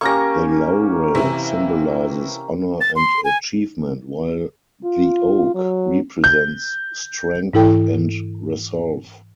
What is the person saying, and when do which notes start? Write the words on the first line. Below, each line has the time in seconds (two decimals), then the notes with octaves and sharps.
The laurel symbolizes honor and achievement while the oak represents strength and resolve.
0.01 A#3 C#4 G4 C#6 A#6
1.15 C3 E3 E4
2.81 A6
2.96 C6
3.24 G#5
4.84 F4
5.55 F#3
6.24 G6
7.53 G#2 E3 E4 A4 G5